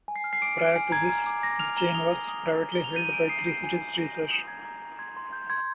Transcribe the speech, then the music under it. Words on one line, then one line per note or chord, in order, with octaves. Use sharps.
Prior to this, the chain was privately held by Three Cities Research.
G#5
C7
F6
C7
D6 D7
F6
D7
G#5
A#5 G#6
F6
D6
D6 A#6
F6 F7
A#5 G7
D#6 F7
D#6
D#6
A#5
A#5
G7
A#5
F7
G6 D#7
G#5 D7
D#6 C7
G6 C7
G#5
G#5
A#5 A#6
G6
D#6
A#5 G#6
A#5
A#5
C6 G#6
C6
G6
C6 G#6